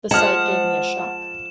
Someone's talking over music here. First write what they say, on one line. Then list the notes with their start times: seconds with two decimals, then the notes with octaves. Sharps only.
The sight gave me a shock.
0.11 F3 G#3 F#5 A5 F6 E7